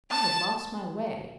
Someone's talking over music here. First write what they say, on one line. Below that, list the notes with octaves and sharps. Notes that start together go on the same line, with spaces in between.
'I have lost my way.
A5